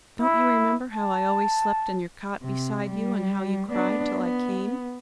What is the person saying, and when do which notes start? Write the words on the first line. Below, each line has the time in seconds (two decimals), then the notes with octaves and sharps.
'Don't you remember how I always slept in your cot beside you, and how you cried till I came?
0.22 E4
0.93 A5
2.43 C3
2.90 G3
3.71 B3 D4
4.18 B3